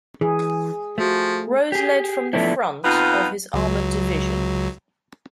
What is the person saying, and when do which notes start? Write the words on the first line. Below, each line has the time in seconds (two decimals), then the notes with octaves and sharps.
Rose led from the front of his armored division.
0.21 E3 G#4
0.98 F3 A3 F#4
1.72 G4 G#4
2.33 F3 A3 B3 C#4 D4 E4
2.84 F2 B3 D#4 F4
3.54 C#2 F#3